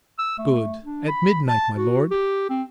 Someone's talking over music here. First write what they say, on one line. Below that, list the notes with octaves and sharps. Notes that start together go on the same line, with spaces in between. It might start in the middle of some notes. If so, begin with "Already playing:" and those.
"Good! at midnight, my lord."
E6
A3
D4
B5
A5
F#4
G4
C4